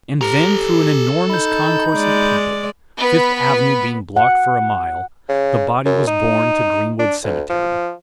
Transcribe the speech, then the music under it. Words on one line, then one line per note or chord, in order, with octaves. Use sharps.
And then through an enormous concourse of people, Fifth Avenue being blocked for a mile, the body was borne to Greenwood Cemetery.
G4 A4 A#5
D#4 B5 G6
G#3 D5
B3 B4
F#5
C#3
F#2
D#4
D4
D2
F3